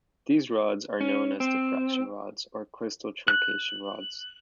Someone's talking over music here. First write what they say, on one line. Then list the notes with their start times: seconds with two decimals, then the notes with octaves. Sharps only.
These rods are known as diffraction rods, or crystal truncation rods.
1.01 C#4
1.40 C4
3.28 F#6